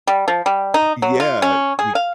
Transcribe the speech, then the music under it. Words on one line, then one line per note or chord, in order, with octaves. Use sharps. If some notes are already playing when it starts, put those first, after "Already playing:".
yeah, you
G3
F3
G3
D#4
F#3
F4
C#4
G#4
F5